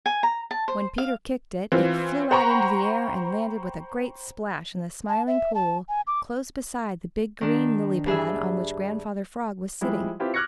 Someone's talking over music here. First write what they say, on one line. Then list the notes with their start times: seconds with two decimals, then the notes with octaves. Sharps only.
When Peter kicked it it flew out into the air and landed with a great splash in the Smiling Pool, close beside the big green lily-pad on which Grandfather Frog was sitting.
0.06 G#5
0.23 A#5
0.51 A5
0.68 C5
0.98 F5
1.72 E3 C4 F4
2.31 C5 F#5 G5 A#5 B5 C#6
5.09 A5
5.27 E5
5.55 A5
5.89 G#5
6.07 D6
7.41 D#3 D4
8.06 G2 G#4 E5
9.81 F3 G3 G#3 E4
10.20 C4 E4 F4 G4 B4
10.34 D6 F6 F#6 G#6 A#6 C#7